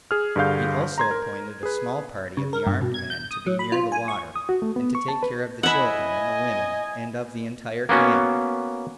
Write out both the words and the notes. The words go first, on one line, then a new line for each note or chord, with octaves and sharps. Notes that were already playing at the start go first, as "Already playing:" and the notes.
He also appointed a small party of the armed men to be near the water, and to take care of the children, and the women, and of the entire camp.
G#4 F6
G2 D3 G#4 F5 G6
A#5 C6 G#6
A#4
G#4 B4
C#3
A#4
G2
B2
G#6
G6
D#6
F#3
B5
F4
G#5
C#6
D#6
F#4
A3
B3
C#6
A5
B4
E4 D#5 E5 F#5 G#5 B5
A#3 B3 C#4 F#4